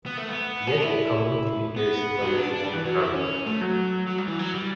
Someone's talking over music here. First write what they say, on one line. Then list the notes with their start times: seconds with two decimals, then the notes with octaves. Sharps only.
Yet, the community leaders learned to overcome them.
0.06 B3
0.17 A3
0.29 B3
0.67 C#4
0.77 D4
0.82 E4
1.76 B3
2.22 F#3
2.37 D4
2.53 D4
2.63 G3
2.73 E3
2.84 F#3
2.99 E4
3.15 C#4
3.46 A3
3.61 F#3
4.07 F#3
4.18 G3
4.28 E3
4.39 F#3
4.54 G3